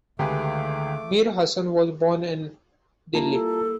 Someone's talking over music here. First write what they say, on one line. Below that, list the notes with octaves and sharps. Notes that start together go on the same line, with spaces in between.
Mir Hasan was born in Delhi.
C#2 D3 D#3 A3 G4 G#4 B4 D6
G3 A#3 E4 F4 A5 A#5
A4